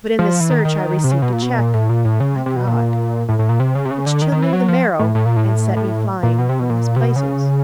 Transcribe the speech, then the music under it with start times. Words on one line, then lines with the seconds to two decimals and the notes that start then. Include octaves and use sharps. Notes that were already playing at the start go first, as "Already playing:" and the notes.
But in this search I received a check, my God, which chilled me to the marrow, and set me flying from these places.
0.19 F3
0.40 E3
0.50 D#3
0.65 D#3
1.04 C3
1.12 C#3
1.22 B2
1.33 A#2
1.42 B2
1.58 A#2
1.74 A2
1.89 A#2
2.05 A2
2.20 C#3
2.36 C3
2.46 C3
2.56 B2
2.67 A#2
3.29 A2
3.39 A2
3.49 A#2
3.60 C3
3.75 C#3
3.85 C3
3.91 C#3
4.06 D3
4.22 D#3
4.32 D#3
4.42 E3
4.53 F#3
4.68 F3
4.99 A2
5.15 A2
5.25 A#2
5.36 A2
5.77 A2
6.23 A#2
6.39 B2
6.49 C3
6.59 B2
6.70 A#2
6.96 C3
7.01 B2
7.16 C#3